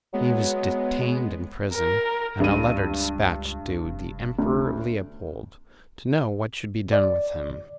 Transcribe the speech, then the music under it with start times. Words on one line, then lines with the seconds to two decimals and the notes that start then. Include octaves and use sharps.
He was detained in prison, and a letter despatched to the Emperor Leopold, to know what should be done with him.
0.13 F#3 G#3 B3
1.74 A#4
2.40 C#2 G2 D#7
3.84 F1
4.39 D2
6.93 D5